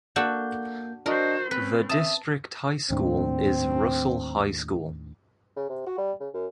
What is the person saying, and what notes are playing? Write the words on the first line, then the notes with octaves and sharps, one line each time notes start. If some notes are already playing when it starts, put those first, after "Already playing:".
The district high school is Russell High School.
A#3 D4 F#4 A4 G6
D4 F#4 A#4 C5 D#5
C4 C#4 B4 B6
E5 A5 D#6
D#2 A2 C4 D4
C#3
C3
F#4
G3
C#3
F#2